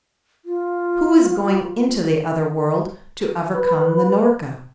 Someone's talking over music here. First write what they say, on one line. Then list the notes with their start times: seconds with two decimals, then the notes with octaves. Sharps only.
'Who is going into the other world, to overcome the Norka?'
0.45 F4
3.55 B4